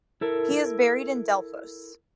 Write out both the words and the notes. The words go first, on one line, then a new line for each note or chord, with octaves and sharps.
He is buried in Delphos.
E4 A4 A#4